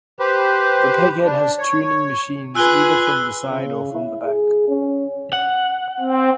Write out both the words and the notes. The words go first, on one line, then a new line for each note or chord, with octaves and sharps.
The peghead has tuning machines either from the side or from the back.
G4 B4 C5
D4
C#5
F4 G#4 B4 G#5 E6 F#6 G7
C#3
E4
G#4
C#4
F#5
C4